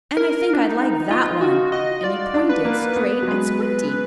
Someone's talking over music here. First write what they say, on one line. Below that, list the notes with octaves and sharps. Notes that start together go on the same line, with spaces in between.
"And I think I'd like that one," and he pointed straight at Squinty.
A#4
D4
D#4
D#4 F4
F4 F#4
F#4 D#5
F4 D5
D4
B4
A#3
B3
F#3
G#3